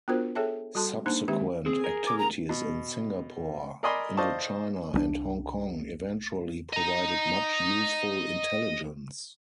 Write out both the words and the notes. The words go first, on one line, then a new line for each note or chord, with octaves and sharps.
Subsequent activities in Singapore, Indo-China and Hong Kong eventually provided much useful intelligence.
B3 D4 F4 F#4 A#4 C5
G#4 A4 C#5 E5 G5 A5
G3 F#4 A4 A5 C6
A#3 D4 D#4 C5 A5
D#3 G#3 C4 G4 E5
C4 G#4
A#4
D6
A#5
B2
A#4 D5 D#5 G#5 B5 C6
C5 D5 D#5 F5 A5 C#6
C2 F#3 D4
D#5 A#5